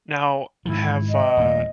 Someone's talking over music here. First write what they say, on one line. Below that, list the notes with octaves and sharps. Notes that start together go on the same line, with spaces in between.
Now, have, uh
G#2 D#3 F3 E4
D#5
D#1 A#2 A3